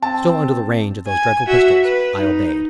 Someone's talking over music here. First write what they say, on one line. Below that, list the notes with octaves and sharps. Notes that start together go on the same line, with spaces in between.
Still under the range of those dreadful pistols, I obeyed.
C4 A5
G#5
F#4 E5
B4
D#4